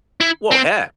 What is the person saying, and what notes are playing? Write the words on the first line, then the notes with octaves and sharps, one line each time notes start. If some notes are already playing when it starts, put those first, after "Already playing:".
Well, heck.
E4
C4